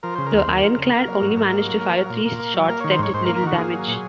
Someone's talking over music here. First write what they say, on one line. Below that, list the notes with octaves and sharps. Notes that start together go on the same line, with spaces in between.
The ironclad only managed to fire three shots that did little damage.
F3 A#4
C#3 C5
A#4
D#2 C5
D#2 A#4
F3
C#3
A#3
F#3
G#2
G#2 A#4
A#3
F#3
A#3
F#3
A#2
A#2
A#3
F#3
A#3 A#4
D#3 C#5
C5
G#2 C#5
G#2 C5
A#4
A#3
A#4
D#3 F#4
A#3 G#4
F#3
A#2